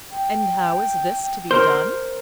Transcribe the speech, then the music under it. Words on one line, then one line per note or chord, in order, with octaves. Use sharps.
"And how is this to be done?"
G5
A#4 C5